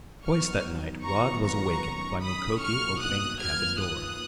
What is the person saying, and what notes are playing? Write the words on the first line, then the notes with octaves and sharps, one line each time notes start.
Twice that night Rod was awakened by Mukoki opening the cabin door.
D#3 F#3 B3 D#4 C#6 F6
D#3 F#3 B3 F4 B4 A#5 C#6
A#5 C#6
D#3 F#3 C#4
B5 D#6
B2 F#3 A#3 D#4 F#4 C#6 F6
D#6 F#6
F#2 D#3 A#3 F4 B4 F6 G#6
D#6 F#6